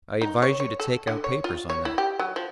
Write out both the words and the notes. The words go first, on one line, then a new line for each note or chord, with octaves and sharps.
"I advise you to take out papers on that."
D#4
C#5
C#5
A4
D3
C#5
F4
C#5
E4
G4
F#3
F3